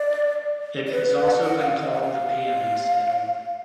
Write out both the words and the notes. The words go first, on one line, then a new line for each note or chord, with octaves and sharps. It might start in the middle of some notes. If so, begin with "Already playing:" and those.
It has also been called the Peano saddle.
Already playing: D5
D5
B4
B4
F#5
F#5
F5
D#5
F#5
F5